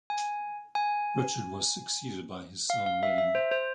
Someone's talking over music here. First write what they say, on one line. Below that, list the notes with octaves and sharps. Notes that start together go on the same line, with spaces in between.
Richard was succeeded by his son William.
G#5
G#5
F5
F5
E5
E5
C5
C5